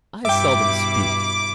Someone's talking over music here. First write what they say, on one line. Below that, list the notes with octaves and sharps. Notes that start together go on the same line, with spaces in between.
I seldom speak.
G2 B2 E4 E5 G5 D6